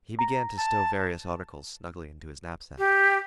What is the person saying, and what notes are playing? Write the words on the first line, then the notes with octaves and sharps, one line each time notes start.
He began to stow various articles snugly into his knapsack.
A#5
A5
G4